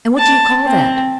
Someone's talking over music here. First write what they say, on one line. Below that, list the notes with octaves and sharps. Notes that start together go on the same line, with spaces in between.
"And what do you call that?"
A5
C4